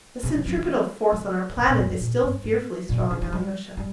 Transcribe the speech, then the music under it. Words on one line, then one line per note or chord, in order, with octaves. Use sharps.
The centripetal force on our planet is still fearfully strong, Alyosha.
C3
E3
F3
E3
C#3
C3
A#2
F2
G#2
A#2
G2
G#2
A#2
C3
C#3
E3
G3
G3